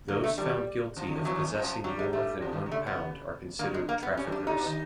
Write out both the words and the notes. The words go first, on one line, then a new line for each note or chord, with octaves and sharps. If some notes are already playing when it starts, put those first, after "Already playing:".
Those found guilty of possessing more than one pound are considered traffickers.
D3 A#3
A3
D#2 D#3 G3
F2 F3
D3
D#2 D#3
E2 E3 F#3
D#2 D#3
E2 E3
F2 F3
G2 F#3 G3
G#3
F#3
G2 G3 A3
F2 F3
D#2 D#3
D3
C#3 A3
B3
D3 A#3
G#3
A#3
B3
F#3
G2 G3 C#4
F#2 F#3
D4
G2 G3
A2 A3 D#4
B2 B3
D#3 D#4